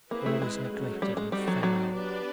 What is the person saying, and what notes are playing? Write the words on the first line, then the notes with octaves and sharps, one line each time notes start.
All is neglected and foul.
A#3 C4 E4 G#4 B4
A3
G#3
F#3 A3 C#4
G3
G#3
G3 C4 D#4 F#4 A4 D5
F#3
F#3
B3 D4 G4 B4 D5